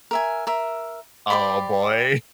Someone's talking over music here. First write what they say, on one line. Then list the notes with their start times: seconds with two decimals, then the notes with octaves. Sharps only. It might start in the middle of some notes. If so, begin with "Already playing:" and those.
Oh boy.
0.11 A#4 E5 G#5
0.47 A#4 E5
1.30 G4 C5 D5 B5